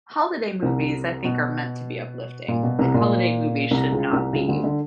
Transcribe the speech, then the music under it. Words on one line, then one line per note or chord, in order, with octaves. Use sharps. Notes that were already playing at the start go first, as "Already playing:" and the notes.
holiday movies, I think, are meant to be uplifting. Like, holiday movies should not be
C2 C3
B2
A#2
B2
C2 C3
A#2
C2 C3
C#2 C#3
C2 C3
C#2 C#3
D2 D3
D3